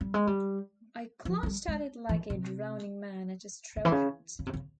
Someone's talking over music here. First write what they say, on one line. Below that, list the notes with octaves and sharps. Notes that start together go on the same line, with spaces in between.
I clutched at it like a drowning man at a straw hat.
G3
G#3
G3
F3
F3
G3
G#3
E3
C3
C#3
E3
C#3
C#3
C3
C#3